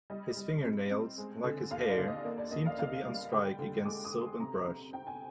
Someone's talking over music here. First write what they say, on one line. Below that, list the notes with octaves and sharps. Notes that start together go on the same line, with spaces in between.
His finger-nails, like his hair, seemed to be on strike against soap and brush.
G3 D#5
G3
C4
C4
G#3
D3
D#2 F5
D5
D3
D#5
A#3
D5
A#3 D#5
F5
A#3 F5
G3
D3 G5
D3
G#3 D6
D#6
D3
C6
C3 A#5
C4
C4 G5
G#5